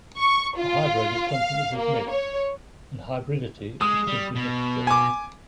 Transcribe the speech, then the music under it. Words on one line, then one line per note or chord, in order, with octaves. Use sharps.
A hybrid is something that is mixed, and hybridity is simply mixture.
C#6
F4
F5
A#3
C#5
G#3 D#6
G3
B2
G#5 D6